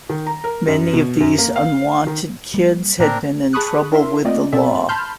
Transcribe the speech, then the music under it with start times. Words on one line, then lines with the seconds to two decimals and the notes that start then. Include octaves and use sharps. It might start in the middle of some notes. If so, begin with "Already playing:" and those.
Many of these unwanted kids had been in trouble with the law.
0.10 D#3
0.27 A#5
0.44 A#4
0.67 F#2
0.93 B2
1.20 F#2
1.38 A#3
1.56 F5
2.07 D#3
2.54 G3 A#3
3.00 A2 A#3 C4 D4 A#4
3.53 G#4 A5 B5 C#6 D#6 F#6
3.92 D4 E4 A#4 E5 C6
4.25 A3 A#3 C4 F4 D5 D#5
4.53 B2 B3 C4 A4 D5 E5
4.89 A5 B5 C6 F6 G6